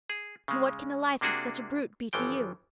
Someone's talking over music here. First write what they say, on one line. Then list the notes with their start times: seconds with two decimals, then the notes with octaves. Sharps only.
And what can the life of such a brute be to you?'
0.10 G#4
0.48 C#3 G#3
1.21 C3 A#3 D4 F#4 G#4
2.13 G1 E3 F3 G5